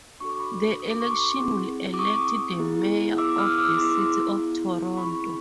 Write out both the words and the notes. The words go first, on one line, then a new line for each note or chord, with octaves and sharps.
The election will elect the mayor of the City of Toronto.
D4 F#4 A4 C#6
D6
B5 C#6
D#6
D6
C#6
C6 D6
C4 E4 G#4
D6
C#6 D#6
B3 E4 G#4
D6 E6
D#6 F6
D6 E6
B3 E4 G#4 C6 D6
C4 E4 G#4 B5 C#6